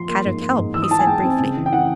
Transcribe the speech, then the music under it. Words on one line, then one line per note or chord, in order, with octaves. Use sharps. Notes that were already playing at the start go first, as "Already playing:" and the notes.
"Kadok help," he said briefly.
Already playing: F3 C6
A#3
G#2
A#3
G#2
E3 E6
D#6
E3 A5
G#5
G#3 G5
C4
C#3
E3
G5
E3 F#5